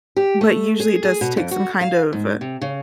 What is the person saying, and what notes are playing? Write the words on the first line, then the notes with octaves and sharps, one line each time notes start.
but usually, it does take some kind of, uh,
G4
A3
G#4
G#4
B2
F2
F#4
F5
G#2
C3
C#3